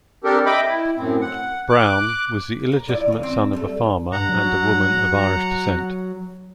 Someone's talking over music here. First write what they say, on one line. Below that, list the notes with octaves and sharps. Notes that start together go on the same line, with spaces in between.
Brown was the illegitimate son of a farmer and a woman of Irish descent.
C4 D4 G4 A4 A#4
D#5 E5 G5 B5 D6
E4
F#2 A2 C4
F#5
D6 F#6
A#4
E4 F4 D5
D#3 E3
C4
G3 A3 A4
G2 F#5 A#5
F#3